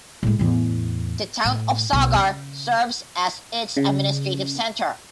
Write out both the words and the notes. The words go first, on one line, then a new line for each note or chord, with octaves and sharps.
The town of Sagar serves as its administrative center.
A2 G#3
E2 A2
A2
B1
C#3
C#3